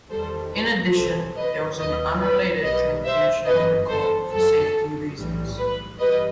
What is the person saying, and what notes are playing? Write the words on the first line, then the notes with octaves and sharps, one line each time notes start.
In addition, there was an unrelated transmission recall for safety reasons.
E2 D#3 G3 A4 C5
B4
C2 C3 F#3 A4 C5
B4 D#5
D#2 D#3 F#3 B4 D#5
B4
B1 B2 G3 B4 D#5
C5 E5
G1 F#2 E3 B4 D#5
A4 C5
F#2 F#3 A4
B1 A2 E3 G3
B4
G2 E3 G3 B4 D#5